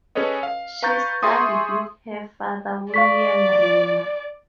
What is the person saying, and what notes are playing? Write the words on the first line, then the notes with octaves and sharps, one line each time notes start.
She studied with her father William Rimmer.
C#4 G#4 A4 B4 C#5 D#5
F5
B4 F5 A#5 C#6 G6 A6
G#4 E5 C6 C#6 D#6
D5 F5 C#6 B6